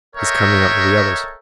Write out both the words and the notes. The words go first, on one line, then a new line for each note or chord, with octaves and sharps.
He is coming up with the others.
A4 A#4 C#5 D#5 E5 G5